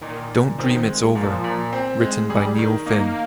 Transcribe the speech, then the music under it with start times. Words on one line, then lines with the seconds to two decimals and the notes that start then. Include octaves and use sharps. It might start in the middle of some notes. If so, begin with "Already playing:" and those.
"Don't Dream It's Over" written by Neil Finn.
0.01 A#2 D#3
0.31 A#2
0.58 D#3 C4
0.87 G#3
1.15 A#2 F3
1.44 A#2
1.73 C4
2.01 G#3
2.29 G3 G#4
2.58 D#3
2.86 A#3 D#4